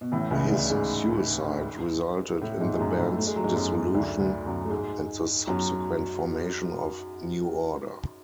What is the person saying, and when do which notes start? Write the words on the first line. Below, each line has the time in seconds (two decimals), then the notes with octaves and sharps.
His suicide resulted in the band's dissolution and the subsequent formation of New Order.
0.01 B2
0.12 A1 A2
0.31 C#2 C#3
0.50 D2 D3
0.70 G#2 G#3
2.41 A2 A3
2.60 G#2 G#3
2.74 G#3
2.79 F#2 F#3
2.99 A2 A3
3.18 A3
3.27 G#3
3.36 F#3
3.44 G#2 G#3
3.56 F#2 F#3
3.94 D2 D3
4.20 D2 D3
4.46 F#2 F#3
4.65 A3
4.70 G#2 G#3
5.47 F#2 F#3